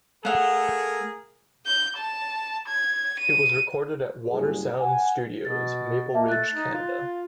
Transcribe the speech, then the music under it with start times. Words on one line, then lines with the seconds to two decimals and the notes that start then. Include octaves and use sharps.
It was recorded at Watersound Studios, Maple Ridge, Canada.
0.25 A3 G#4 A#4 F5 F#5
1.66 G6
1.97 A5
2.68 G#6
3.19 D#7
4.29 F#1 G2 G3 G#4
4.80 F#5 G#5
5.45 B2 A6
6.13 A#3 D#5 E5 A5
6.29 A3 F#6 A6
6.54 D#4
6.74 F4